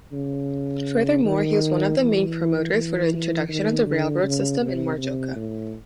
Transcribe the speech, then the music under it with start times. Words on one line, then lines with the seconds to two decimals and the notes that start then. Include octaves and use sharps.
Furthermore, he was one of the main promoters for the introduction of the railroad system in Majorca.
0.12 C#3
1.25 D#3
1.98 E3
2.73 E3
3.49 D#3
3.86 D3
4.23 C#3
4.61 C3
4.98 C3
5.36 A2